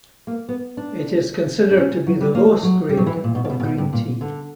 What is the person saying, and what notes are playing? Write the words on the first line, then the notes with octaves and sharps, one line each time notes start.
It is considered to be the lowest grade of green tea.
A#3
B3
D4
D4
C#4
C#4
F#3
G3
A#3
F#3
G3
F#3
E3
A#2
B2
C#3
B2
C#3
B2
G2
A#2
D3